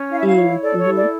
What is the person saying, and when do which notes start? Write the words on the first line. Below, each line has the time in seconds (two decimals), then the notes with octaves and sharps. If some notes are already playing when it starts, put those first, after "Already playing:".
Mm, mhm.
Already playing: C#4
0.10 E4 F5
0.18 E5
0.26 F5
0.36 C#5
0.61 A4 D5
0.79 C#5
0.87 E4
0.96 D5